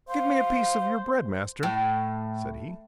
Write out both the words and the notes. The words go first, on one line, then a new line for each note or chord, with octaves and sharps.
"Give me a piece of your bread, master," said he.
C5 F5
A2